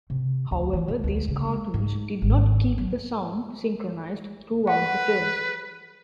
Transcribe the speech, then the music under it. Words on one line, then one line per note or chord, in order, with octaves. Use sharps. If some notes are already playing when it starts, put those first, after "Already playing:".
However, these cartoons did not keep the sound synchronized throughout the film.
C3
D2
E3
A#1
D2
C#3
G#3
G#2
G#1
F#3
B4 F#5